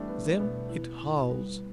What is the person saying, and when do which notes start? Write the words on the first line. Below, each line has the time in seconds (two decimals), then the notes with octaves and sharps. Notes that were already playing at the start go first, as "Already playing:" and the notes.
Then it howls!
Already playing: E3 G3 A3 D4
0.08 B3 B4
0.39 B2 B3
0.69 E4
1.00 E4
1.30 G3 B3